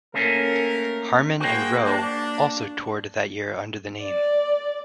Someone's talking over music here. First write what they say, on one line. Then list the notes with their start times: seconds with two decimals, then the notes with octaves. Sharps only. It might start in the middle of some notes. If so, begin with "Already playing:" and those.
Harmon and Roe also toured that year under the name.
0.14 A3 A#3 C#4 A#4
1.40 A#3 F#4 G#4 C5 G5
1.85 D4
4.02 D5